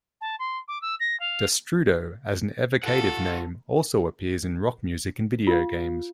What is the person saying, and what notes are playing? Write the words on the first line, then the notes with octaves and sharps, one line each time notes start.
'Destrudo' as an evocative name also appears in rock music and video games.
A5
C6
D6
E6
A#6
F5
F4 A4 F#5
F4 F5